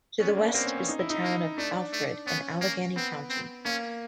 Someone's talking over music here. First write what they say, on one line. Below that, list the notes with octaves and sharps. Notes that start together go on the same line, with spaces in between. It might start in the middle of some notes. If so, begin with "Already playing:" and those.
To the west is the Town of Alfred in Allegany County.
B3 C#4
D4
A#3
B3
A#3 C4
C#4
C#4
D#4
E4
D#4
A#3
A3 D4
A3
B3 C#4
A#3
B3 C4
C4
A#3 C#4